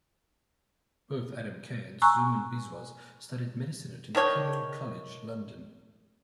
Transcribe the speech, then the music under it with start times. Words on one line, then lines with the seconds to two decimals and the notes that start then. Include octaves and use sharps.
Both Adam Kay and Suman Biswas studied medicine at Imperial College London.
2.02 G#5 A#5 C#6 E6 F#6
4.15 D#3 D4 C#5 G5